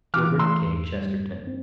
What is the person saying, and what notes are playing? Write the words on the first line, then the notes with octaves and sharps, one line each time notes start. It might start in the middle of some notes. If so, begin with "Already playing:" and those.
Gilbert K. Chesterton.
E3 D6 F6
A3 C6 E6
E2
G3
G2
C4